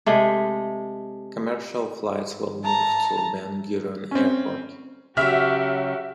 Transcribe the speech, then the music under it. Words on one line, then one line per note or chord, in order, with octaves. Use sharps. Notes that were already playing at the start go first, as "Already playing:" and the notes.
Commercial flights will move to Ben Gurion Airport.
C3 G#3 A3
A5 A#5
C4 C#4
C#3 F#3 F#4 G4 E5 F6